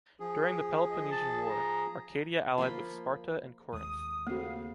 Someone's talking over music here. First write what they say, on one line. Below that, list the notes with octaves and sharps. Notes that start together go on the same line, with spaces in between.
During the Peloponnesian War, Arcadia allied with Sparta and Corinth.
F3 G#4
D#5
A5
A#5
F3 A#3 C5 B5
D#2 G#3 D#6
C#3 A3 A#3 C4 F#4 F5